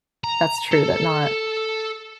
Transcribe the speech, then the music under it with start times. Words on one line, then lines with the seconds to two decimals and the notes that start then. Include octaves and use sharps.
that's true that not
0.24 A#5
0.72 A4